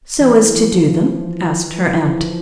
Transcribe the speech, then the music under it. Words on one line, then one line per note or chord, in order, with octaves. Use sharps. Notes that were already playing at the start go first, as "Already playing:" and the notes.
"So as to do them?" asked her aunt.
E3
F3
F3
E3
F3
E3
F3